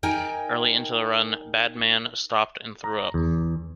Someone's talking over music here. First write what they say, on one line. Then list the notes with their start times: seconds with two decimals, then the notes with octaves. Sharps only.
Early into the run, Badmann stopped and threw up.
0.03 D#4 A#4 G5 G#5
2.84 A#5
3.14 E2